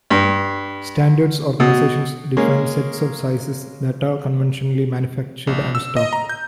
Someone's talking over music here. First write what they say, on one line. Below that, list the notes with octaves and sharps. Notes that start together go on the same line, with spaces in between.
Standards organizations define sets of sizes that are conventionally manufactured and stocked.
G2
B2
G#3 A#3 C#4
A#1
E6
D#5
A#5
G6